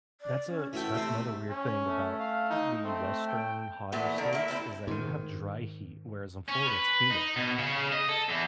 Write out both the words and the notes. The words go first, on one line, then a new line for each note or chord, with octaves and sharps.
That's a so that's another weird thing about the Western hotter states is that you have dry heat, whereas in Florida, it's humid.
D5
C#4
E3 A3 F#4 G5
C3 C4
C#4
A3
F5
D#4
A3 C4
G5
A#2 E3 A3 B3
D3 D#3 D4 A#4
A#3 E4
C4 C#4 E4 A4
G#2 D#3
C#4
B4
D#4
B2
C#3
C#3
D#5
A4
E2